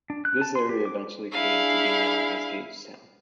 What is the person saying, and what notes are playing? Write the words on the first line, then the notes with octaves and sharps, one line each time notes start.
This area eventually came to be known as Gagetown.
D4
F#6
A5
C6
G4
D6
D4 E4 G#4 F5